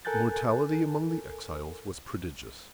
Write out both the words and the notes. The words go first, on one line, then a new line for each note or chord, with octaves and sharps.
The mortality among the exiles was prodigious.
A4 A#4 G#5 F#6 G6 A6